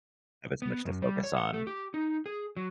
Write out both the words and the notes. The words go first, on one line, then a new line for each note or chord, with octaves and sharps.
have as much to focus on.
B3
F#2
G3
C#5
F#5
A3
G4
D#4
G#4
F#3